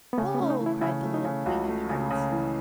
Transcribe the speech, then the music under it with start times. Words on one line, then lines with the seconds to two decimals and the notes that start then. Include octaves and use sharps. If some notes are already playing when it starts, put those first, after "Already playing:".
"Pull!" cried the little Queen of Hearts.
0.13 B3
0.18 C#3 A3
0.34 B3
0.39 A3 C#4
0.50 D#4
0.60 E3
0.66 E4
0.81 C#3 E4
1.03 A3
1.14 D#4
1.25 C#3
1.46 C#2 F#4
1.68 A3
1.89 C#3
2.10 C#3
2.32 E3